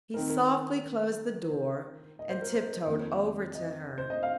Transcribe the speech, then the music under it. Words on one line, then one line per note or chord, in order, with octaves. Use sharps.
He softly closed the door and tiptoed over to her.
D#3 C4 D#4 A#4
A#4
C5
D#5
C5
A#4
C5
F2 D#3 A#3
D#5
C5
D#5
F5